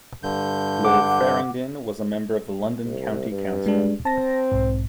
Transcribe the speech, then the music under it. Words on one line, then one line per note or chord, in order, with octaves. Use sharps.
Lord Faringdon was a member of the London County Council.
G2 D3 G6
F#5 D6
C2
G2
G#3 D4
C4 A5 A#6
B1 G#2